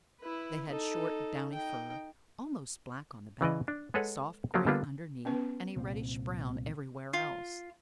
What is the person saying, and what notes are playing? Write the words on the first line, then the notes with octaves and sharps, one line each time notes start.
They had short, downy fur, almost black on the back, soft gray underneath, and a reddish brown everywhere else.
E4 B4
D#4 A4
D#4 G5
C#3 E3 D5 D#5
D4
G#3 G#4 A4 B4 C#5 F#5
F3 F#3 A#3 F4 G4 A#4
D3 G3 A#3 B3 D4 F4
B3 C#4 B4
C2 A#2 C4
F4